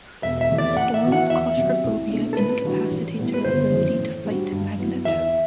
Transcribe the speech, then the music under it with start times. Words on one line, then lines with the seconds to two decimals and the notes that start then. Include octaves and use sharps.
Storm's claustrophobia incapacitates her ability to fight Magneto.
0.23 E1 E5
0.41 E5
0.49 E2 C3 E3 A3
0.58 D5
0.76 A2 F#5
0.94 E5
1.03 E3 B3 F#4
1.12 F#5
1.30 E2 E5
1.57 C3 F#3
1.84 C2
2.10 B2 A3 D4
2.33 A4
2.37 A2 B4
2.64 E3 G3 D4 F#4
2.91 A1
3.17 A2 G3 B3 E4
3.34 B4
3.44 G1 C5
3.71 F#2 E3
3.98 A2
4.25 G3 D4 F#4
4.52 G2
4.78 F#3 B3 E4
5.05 E2 E5